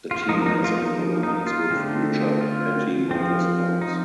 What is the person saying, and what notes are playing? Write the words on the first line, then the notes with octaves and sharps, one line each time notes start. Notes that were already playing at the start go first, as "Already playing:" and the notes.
The team has an alliance with Richard Petty Motorsports.
F4
F3 A#3 D#4
D#4
F4
D#4
D#4
F4
D3 A3 C4
F4
F3 C4
D#4